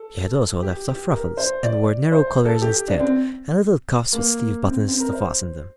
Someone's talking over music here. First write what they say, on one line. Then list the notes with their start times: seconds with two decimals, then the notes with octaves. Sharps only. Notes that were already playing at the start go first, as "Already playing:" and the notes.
She had also left off ruffles, and wore narrow collars instead, and little cuffs with sleeve-buttons to fasten them.
Already playing: A4
0.62 G4
0.88 G4
1.13 A#4
1.37 C5
1.63 D5
2.12 C5
2.45 A4
2.62 G4
2.88 D4
3.00 C4
4.13 A#3
4.63 C4
4.88 C4
5.00 A#4
5.13 C5